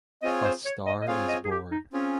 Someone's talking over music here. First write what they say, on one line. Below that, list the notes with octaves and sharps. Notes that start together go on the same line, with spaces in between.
A star is born.
C4 F4 G#4 C#5 D#5
C5
C#5
D#5
D#5
C4 F4 G#4 C#5 F5
D#5
G#4
G4
D#4
C4 C#4 F4 G#4 C#5